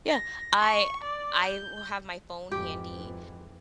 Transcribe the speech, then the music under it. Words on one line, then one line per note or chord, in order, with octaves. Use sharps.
yeah, I I will have my phone handy,
A#6
C#6
D5
G6
F2 G#2 E3 G4